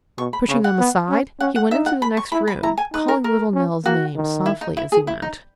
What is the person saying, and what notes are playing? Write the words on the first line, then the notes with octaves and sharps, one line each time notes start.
Pushing them aside, he went into the next room, calling little Nell's name softly as he went.
B2 C#6
B5
C#3 C#6
F#5
B3
C#4
C#4 F#5
F#5
D#4 E5
F#5
B5
C#6
E4 B5
B5
E4 A#5
G#5
D#4 B4
A#4
A#4
C#4
A#3 F#4
D#3
E4
D#4
E4
G#4
E4
D#4